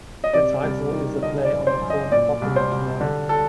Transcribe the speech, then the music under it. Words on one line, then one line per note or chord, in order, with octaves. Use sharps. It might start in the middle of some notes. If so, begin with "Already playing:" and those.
The title is a play on the film "Apocalypse Now".
D#5
C3 D5
C2
D#3
D3 D#5
D5
F#2
C5
F#2
D#5
A#2 D5
C2
C5
C2
D3
A4